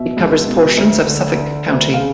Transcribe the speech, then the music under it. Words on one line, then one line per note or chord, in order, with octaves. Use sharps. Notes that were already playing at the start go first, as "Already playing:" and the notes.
It covers portions of Suffolk county.
Already playing: B2 E5
C#2
B2
D2
D3
D3
D2
F5
C#3